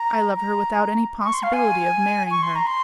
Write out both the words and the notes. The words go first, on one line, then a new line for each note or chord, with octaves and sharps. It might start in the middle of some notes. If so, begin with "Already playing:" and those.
I love her without any possibility of marrying her.
Already playing: A#5
A#5
C#6
C6
F5
G#5
C#6
C6
A#5
C6